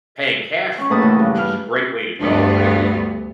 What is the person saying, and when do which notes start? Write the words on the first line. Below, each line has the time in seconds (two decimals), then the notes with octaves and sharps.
paying cash for it, which is a great way to go, really.
0.78 C#4 C#6
0.90 A2 A#3 B4 A5 D#6
1.02 E2 C#3
1.19 G2
1.38 F6
2.19 D2 G2 B3 D4